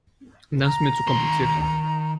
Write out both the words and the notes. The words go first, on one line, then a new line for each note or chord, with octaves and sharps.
Das ist mir zu kompliziert.
A#5
D#3 C6